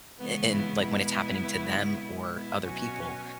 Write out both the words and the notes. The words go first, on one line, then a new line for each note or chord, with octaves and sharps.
a and, like, when it's happening to them or other people,
C#3 E3 G#3 B3
B3 E4
B2 G#3 B3 E4
C#3 G#3
B2 G#3
B3 E4
B2 F#3 C#4 F#4